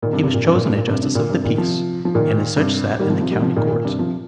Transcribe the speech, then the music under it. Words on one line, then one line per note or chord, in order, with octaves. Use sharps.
He was chosen a justice of the peace, and as such sat in the county court.
A#2 D#3
G2 C3
G2 C3
A#2
G2 C3
A#2
G2
A#2
G2 C3
G2 C3
A#2
G2 C3
A#2 D#3
C3 F3
F3
A#2 D#3
G2 C3
D#3 G3
C3 F3
C3 F3
D#3 G3
C3 F3
A#2 D#3
A#2
G2 C3
C3 F3